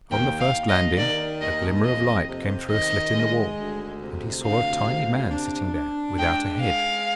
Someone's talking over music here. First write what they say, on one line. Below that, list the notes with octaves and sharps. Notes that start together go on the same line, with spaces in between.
On the first landing a glimmer of light came through a slit in the wall, and he saw a tiny man sitting there, without a head.
D#2 G5
F5
D#2
D#5
D#3 D5
D#2 D#5
F2 D#5
C3
D#3 D#5
G#3
D2
C3
D2 F5
C3
D4
D4
G#3 G5
G#3 F5